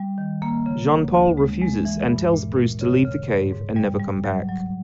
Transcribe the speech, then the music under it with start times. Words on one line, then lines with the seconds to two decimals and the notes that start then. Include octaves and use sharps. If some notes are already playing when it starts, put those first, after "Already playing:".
Jean-Paul refuses and tells Bruce to leave the cave and never come back.
Already playing: G3
0.18 D#3
0.42 A#3
0.66 C#3
0.90 D2
1.14 D2
1.37 G#3
1.61 G#3
1.85 E3
2.09 G2
2.33 A#2
2.57 A#2
2.81 C#3
3.05 C#3
3.28 G#2
3.52 G#2
3.76 G3
4.00 G3
4.24 F#3
4.48 F#3